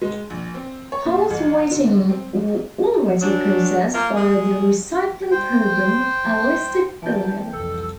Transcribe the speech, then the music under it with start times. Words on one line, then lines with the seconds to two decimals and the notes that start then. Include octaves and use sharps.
Hulls waiting or already processed by the recycling program are listed below.
0.02 G#3
0.30 A#1
0.54 C4
0.92 C#5
1.05 A#2
1.30 A1
1.71 D3
2.10 C4
3.22 F#2 F#3 D4
3.93 A#3 F4 A#4
4.15 G#3 G#4
5.31 C5 G5
7.02 E3 G5 A5
7.53 C2 F2 A4 E6